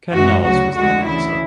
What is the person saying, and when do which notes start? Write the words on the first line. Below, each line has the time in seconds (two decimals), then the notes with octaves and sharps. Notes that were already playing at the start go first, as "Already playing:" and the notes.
Ken Niles was the announcer.
0.13 F#2 E3 G#3 F#4
0.44 D2 C#3 F#3 F#4
0.76 D2 D3 G#3 F#4
1.07 D2 C#3 E3 E4